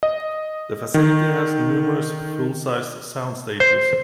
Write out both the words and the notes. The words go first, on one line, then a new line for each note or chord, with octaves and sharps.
The facility has numerous full-size sound stages.
D#5
D#3
C5